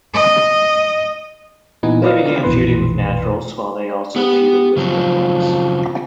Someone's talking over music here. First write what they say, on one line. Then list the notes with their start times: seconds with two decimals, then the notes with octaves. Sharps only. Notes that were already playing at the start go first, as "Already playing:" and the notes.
They began feuding with Naturals while they also feuded with Triple X.
0.14 D#5
1.83 A#2 E3 B3 D#4 B4 G#5
2.02 F4 A#4 B4 D5 D#5 F5
2.43 A#1 F2 B2 E3 B4 C6
4.16 B3 G4 F#5
4.77 C#3 F3 F#3 C4